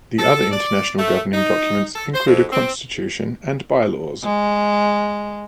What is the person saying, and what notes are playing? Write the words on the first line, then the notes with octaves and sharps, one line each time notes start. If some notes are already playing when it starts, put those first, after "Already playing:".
The other international governing documents include a Constitution and By-Laws.
A4
D5
A3
D#4
A4
C5
F2
C4
G#3